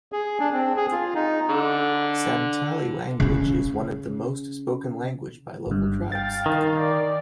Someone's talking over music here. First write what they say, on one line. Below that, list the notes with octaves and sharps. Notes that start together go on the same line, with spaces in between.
Santali language is one of the most spoken language by local tribes.
G#4
D4
C4
G#4
F4
D#4
D3
C#3 C#4
G1 G2
F5 G5 A6
D#3
D5